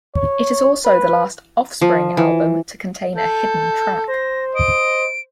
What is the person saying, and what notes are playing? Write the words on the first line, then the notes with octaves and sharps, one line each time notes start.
It is also the last Offspring album to contain a hidden track.
C#5
B4
F3
E3
A4 G6
C5 A#6
D#5 D7